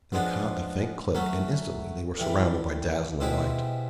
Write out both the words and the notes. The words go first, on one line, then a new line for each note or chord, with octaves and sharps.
They caught a faint click, and instantly they were surrounded by dazzling light.
F3 G#3 B3 D4
F#3 A3 C#4
A2 E3 G3
B2 G#3 C4 E4 G4